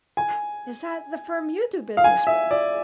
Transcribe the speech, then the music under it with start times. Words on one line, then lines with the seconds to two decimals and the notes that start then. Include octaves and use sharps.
"Is that the firm you do business with?"
0.17 G#5
1.97 F5
2.04 G#5
2.27 E5
2.51 D5